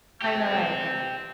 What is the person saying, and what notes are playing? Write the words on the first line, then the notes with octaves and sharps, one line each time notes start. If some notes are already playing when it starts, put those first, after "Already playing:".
I know, right, right.
C4 G4